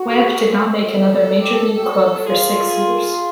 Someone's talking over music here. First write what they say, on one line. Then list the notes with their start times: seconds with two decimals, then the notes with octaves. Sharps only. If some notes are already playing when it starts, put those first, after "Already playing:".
Webb did not make another major league club for six years.
Already playing: F#4
0.09 A4
0.20 G#4
0.29 G4
0.40 G#4
0.53 A4
0.75 A4
1.40 G4
1.75 G4
1.83 F#4
2.26 F4 G#4
2.70 G#4
3.14 G#4